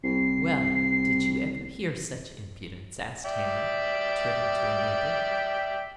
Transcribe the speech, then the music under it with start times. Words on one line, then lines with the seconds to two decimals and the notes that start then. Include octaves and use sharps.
'Well, did you ever hear such impudence?' asked Hannah, turning to a neighbour.
0.04 C2 C7
3.25 D5 E5 G5